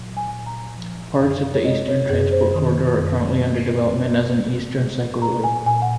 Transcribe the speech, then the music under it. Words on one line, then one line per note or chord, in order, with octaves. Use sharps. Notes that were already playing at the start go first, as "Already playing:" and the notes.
Parts of the Eastern Transport Corridor are currently under development as an Eastern Cycleway.
Already playing: A#2 F#3
G#5
A#2
A#5
F3
F#2 F5
C#5
G#3 D#5
C#5
F#2 G#4
C5
D#3
F#2
G#3
F#2
G#3
G#3
A#2 A#5
G#5
A#2 G#5
F#5